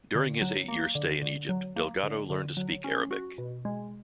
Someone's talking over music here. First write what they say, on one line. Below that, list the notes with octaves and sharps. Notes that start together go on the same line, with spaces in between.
During his eight-year stay in Egypt, Delgado learned to speak Arabic.
D3
F#3
A#3
D3
D3
F#3
A#3
D3
D3
F#3
C#4
F#4
B2
G#3